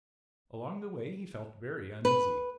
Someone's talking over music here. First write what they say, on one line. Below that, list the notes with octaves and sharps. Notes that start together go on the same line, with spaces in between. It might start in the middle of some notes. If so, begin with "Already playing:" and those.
Along the way he felt very uneasy.
B4